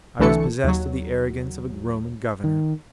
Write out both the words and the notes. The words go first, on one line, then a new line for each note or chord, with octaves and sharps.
I was possessed of the arrogance of a Roman governor.
C2 D3 E3 A3 A4 C#7
D#2 F#3
D#3